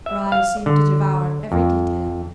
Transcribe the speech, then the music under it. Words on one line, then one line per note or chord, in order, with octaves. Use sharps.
Her eyes seemed to devour every detail.
E5
F5
D3
F2